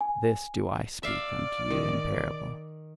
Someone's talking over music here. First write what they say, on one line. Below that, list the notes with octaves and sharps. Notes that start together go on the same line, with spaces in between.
This do I speak unto you in parable.
G#5
D5 E5 F5
D#3